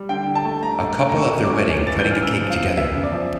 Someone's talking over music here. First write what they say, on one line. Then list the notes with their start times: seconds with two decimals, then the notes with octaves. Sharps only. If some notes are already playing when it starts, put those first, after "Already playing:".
A couple at their wedding cutting a cake together.
Already playing: G3
0.09 D3 G5
0.27 D3
0.35 A5
0.45 A3
0.62 A3 A#5
0.81 A3
0.98 D3
1.09 A#5
1.16 A3 C#6
1.35 C#4
1.44 D6
1.53 C#4
1.70 C#4
1.87 E3 A6
1.99 G6
2.05 E3
2.11 F6
2.23 C#3 E6
2.41 F3
2.50 F5
2.59 E2
2.77 E2 E5
2.95 C#3
3.04 D5
3.12 F3